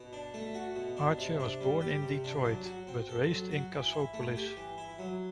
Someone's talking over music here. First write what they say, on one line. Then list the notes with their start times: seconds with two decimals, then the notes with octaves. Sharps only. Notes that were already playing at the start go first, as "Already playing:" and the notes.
Archer was born in Detroit, but raised in Cassopolis.
Already playing: B2
0.13 D4
0.34 A3
0.54 F#4
0.76 B2
0.97 D4
1.18 C3
1.40 D4
1.61 G3
1.81 G4
2.02 C3
2.24 D4
2.44 F#3
2.65 F#4
2.87 C4
3.09 A4
3.29 F#3
3.51 F#4
3.72 E3
3.93 E4
4.13 A3
4.36 G4
4.57 E3
4.78 E4
4.99 F#3